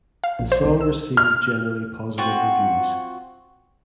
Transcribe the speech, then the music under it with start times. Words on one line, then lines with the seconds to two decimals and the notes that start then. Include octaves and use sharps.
The song received generally positive reviews.
0.24 F5
0.39 A#1
0.52 C5
0.64 C2
0.81 E6
1.17 F6
2.18 C4 F4 F#4 F#5